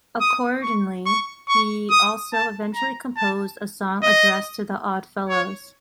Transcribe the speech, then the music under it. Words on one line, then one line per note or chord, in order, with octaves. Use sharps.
Accordingly, he also eventually composed a song addressed to the Oddfellows.
D#6
C#6
C#6
C#6
D#6
A5
A#5
A5
D#5
C#5